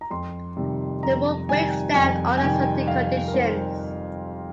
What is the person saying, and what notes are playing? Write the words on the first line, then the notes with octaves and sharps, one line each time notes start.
The rule breaks down under certain conditions.
A#5
F2 C6
C3 D#3 G3
F2 A#5
C3 D#3 G3 G#5
F2 G#5
G#5
C3 D#3 G3 G5
F2 F5
A#4
C3 D#3 G3 C5